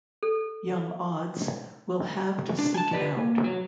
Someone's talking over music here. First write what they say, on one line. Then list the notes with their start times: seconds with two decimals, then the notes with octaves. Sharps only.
Young auds will have to seek it out.
0.23 A4
2.59 D4
2.74 G#5 A5
2.93 F4 G4 B4 D5
3.17 A#3
3.44 F#3